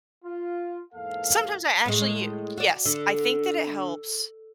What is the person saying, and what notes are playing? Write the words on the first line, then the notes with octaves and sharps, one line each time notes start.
Sometimes I actually you yes. I think that it helps
F4
E2 G#2 A#3 A4 F5
A2 G#3
F#4 D5
D3